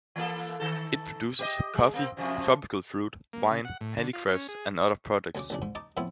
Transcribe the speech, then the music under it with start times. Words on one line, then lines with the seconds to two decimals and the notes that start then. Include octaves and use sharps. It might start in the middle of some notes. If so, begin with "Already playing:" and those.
It produces coffee, tropical fruit, wine, handicrafts, and other products.
0.16 E3 A#3 A4
0.60 D#3 A4
1.39 G4 B4 D#5
1.75 G#3
1.94 A#3 C4
2.17 F2 C3 F3
3.33 A#3
3.51 C#3
3.65 F#5
3.81 A2
3.97 D3
4.13 F4
4.28 C#4
4.48 G#4
5.35 D2 C#3 D6
5.50 A1 C#3 D4
5.62 G#2
5.75 D#4 A5 D6
5.97 A2 F3 B3 C4 E4